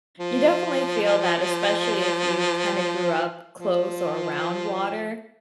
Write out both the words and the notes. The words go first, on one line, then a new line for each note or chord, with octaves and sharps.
You definitely feel that, especially if you kinda grew up close or around water,
F3
F3